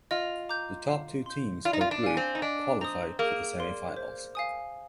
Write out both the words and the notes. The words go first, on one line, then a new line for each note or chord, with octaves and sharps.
The top two teams per group qualified for the semifinals.
F4 D#5
A#5 D6 G6
F5
C6 G6
F4 D5
D#4
F4
D4
F5 G#5
C4
D#4
D4 D#5
C4 A#5 D#6
A#3 G#4
D5 F5 C6
C5
F5 G#5 D#6